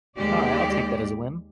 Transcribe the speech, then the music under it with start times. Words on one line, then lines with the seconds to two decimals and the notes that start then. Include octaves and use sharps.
Alright. I'll take that as a win.
0.17 D#2 G#3 G4 D5